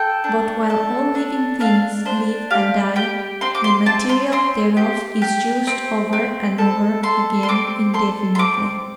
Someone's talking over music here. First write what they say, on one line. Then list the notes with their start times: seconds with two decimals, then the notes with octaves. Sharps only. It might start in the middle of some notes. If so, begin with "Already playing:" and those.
But while all living things live and die, the material thereof is used over and over again indefinitely.
Already playing: A4 G5
0.24 D4
0.70 A4
1.15 D4
1.60 D4 F5
2.05 D4 C5
2.50 G4 F5
2.96 G4 G5
3.41 C4 C6
3.55 D6
3.64 C6
3.86 C4 A5
4.09 C6
4.32 C4 C6
4.77 G4
5.22 G4
5.67 C4
6.13 C4
6.58 A4
7.03 A4 C6
7.43 C6
7.48 C4 D6
7.94 A4 C6
8.35 C6
8.39 C4 D6